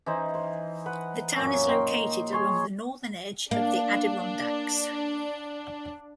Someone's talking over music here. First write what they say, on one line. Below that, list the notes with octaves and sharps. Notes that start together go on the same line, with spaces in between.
The town is located along the northern edge of the Adirondacks.
E3 D#4 C5
C5
B4 F#5
F#2 A#2 A#3 C#4
D#4 A#4 G5 C6
G#4 C#5 C6
A#3 D4